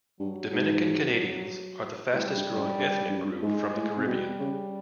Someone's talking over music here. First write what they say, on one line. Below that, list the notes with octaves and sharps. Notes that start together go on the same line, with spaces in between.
Dominican Canadians are the fastest growing ethnic group from the Caribbean.
G2 F#3
G#2
A2 G3
G2
F#2
G2
G2
F#2
G2
G#2 G#3
A2
C3
B2 G3
C#3